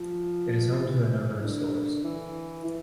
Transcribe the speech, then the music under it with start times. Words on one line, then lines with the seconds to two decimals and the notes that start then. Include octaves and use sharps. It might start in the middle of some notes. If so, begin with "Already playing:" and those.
It is home to a number of stores.
Already playing: F3
0.84 E3
1.44 D3
2.04 E3
2.65 E3